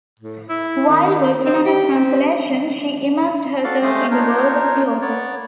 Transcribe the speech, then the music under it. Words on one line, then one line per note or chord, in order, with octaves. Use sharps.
While working on a translation, she immersed herself in the world of the author.
A2
E4
D#3
C4
G4
C4
F#4 A4 D5 F5
G#3 A3 G4 C5 D#5 F5
D4 D#4 F4 A#4 C5 C#5
B3 C#5 D5